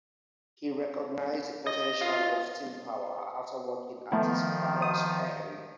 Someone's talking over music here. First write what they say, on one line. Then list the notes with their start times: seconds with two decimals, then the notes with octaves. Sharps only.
He recognized the potential of steam power after working at his father's ferry.
1.67 D#5
2.01 F4
4.12 D#3 F3 A3 B3 E4
4.82 D#6